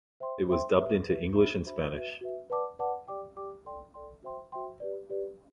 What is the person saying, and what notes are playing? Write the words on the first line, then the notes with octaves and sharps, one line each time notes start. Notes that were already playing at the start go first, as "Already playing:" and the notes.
It was dubbed into English and Spanish.
C5 E5 G5 C6
C5 E5 G5 C6
G4 B4 E5
G4 B4 E5
D4 F#4 C5 E5 B5
D4 F#4 C5 E5 B5
F#4 B4 E5
F#4 B4 E5
B4 D5 F#5 A5 D6
B4 D5 F#5 A5 D6
G4 D5 G5 D6
G4 D5 G5 D6
A4 D5 G5 C6
A4 D5 G5 C6
F#4 C5 E5 G5 C6
F#4 C5 E5 G5 C6
G4 B4 D5
G4 B4 D5